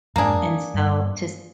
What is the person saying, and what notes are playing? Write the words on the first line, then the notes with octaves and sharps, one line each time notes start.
And so to
F2 G#2 A#3 D4 G#4
G2